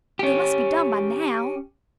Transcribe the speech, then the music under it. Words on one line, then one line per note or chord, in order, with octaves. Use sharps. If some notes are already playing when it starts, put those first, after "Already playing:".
"They must be done by now."
C#4 G4